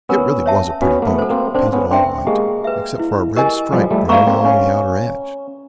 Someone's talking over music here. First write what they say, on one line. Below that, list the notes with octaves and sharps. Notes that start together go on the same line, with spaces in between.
It really was a pretty boat, painted all white, except for a red stripe running along the outer edge.
B3 C#4 A#4
C#5 E5 A5
B3 C#4 F#4
A#3
A3 B3
A4 C5
A#3 C4
C4 D4 C5
B3 C#4
C4 D4 E5 G5 C6
G#3 A#3 G4
B4 E5
E4
G4 A#4 D#5 G#5
F3 G3 A4
G3 A3
A3 B3 D5 F5 A#5 C#6
A#3 C4
C#4